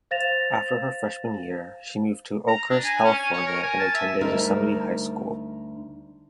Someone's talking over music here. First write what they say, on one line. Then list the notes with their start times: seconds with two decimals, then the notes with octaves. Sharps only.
After her freshman year, she moved to Oakhurst, California and attended Yosemite High School.
0.11 C5 F5 A6 A#6 E7 F7
2.48 A#5
2.70 D4
2.84 G#5
3.04 C#4
3.19 G#5
3.33 C#5
3.47 A#4
3.63 G#5
3.80 A5
3.94 E5
4.21 D2 G3 D#4 A#4